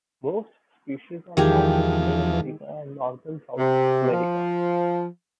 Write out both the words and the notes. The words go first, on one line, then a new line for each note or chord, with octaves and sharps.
Most species are found in Middle America and northern South America.
E2 D#3 F3 G#3 G4
C3
F3